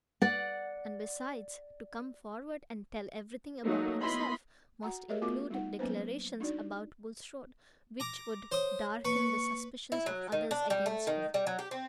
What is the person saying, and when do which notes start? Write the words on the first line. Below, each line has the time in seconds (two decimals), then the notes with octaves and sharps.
And besides, to come forward and tell everything about himself must include declarations about Bulstrode which would darken the suspicions of others against him.
0.22 D5 F#5
3.63 F#3 A3 A#3 D#4
4.00 B3 E4 D#5 B5 C6
4.83 F#4 F#5 A#5
5.09 G4 G#4 A#4 C#5 D#5 E5
5.22 A3 B3 F4 F#4 A#4 D6
5.50 G3 D#4 F#5
5.79 F#3 A#3 B3 C#4 B4 C5
6.40 D4 D#4 F#4 D5
8.00 A#5 D6
8.52 C5 C#5 D#6
9.05 A#3 B4 C#6
9.92 E4
10.06 F#3
10.32 D#3
10.51 D4
10.70 G3
10.86 A3
11.07 D#3
11.34 G3
11.47 F#3
11.59 G4
11.71 C4